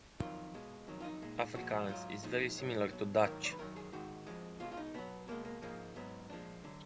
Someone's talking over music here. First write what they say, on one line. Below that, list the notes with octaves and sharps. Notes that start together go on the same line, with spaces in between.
Afrikaans is very similar to Dutch.
F2 D#3 F#3 F4
B2 G#3
F2 D#3 F#3
F4
D#4
A#2 G#3
A#2 F3 G#3 F#4
G#2 F#3 F4
A#2 F3 G#3 D#4
G#2 F#3
B2 F#3
G#2 D#3 F#3 A#4
D5
B4
F#2 D#3 F#3 A#4
G#4
G#2 D#3 G#3 F#4
F2 F3 G#3
B2 G#3 F4
F4
D#4
B2 F#3 B3
B2 G#3 A#3
A#3
G#2 F3 G#3 A#3
G#2 F#3 B3
A#2 F3 G#3 D4
D3 F#3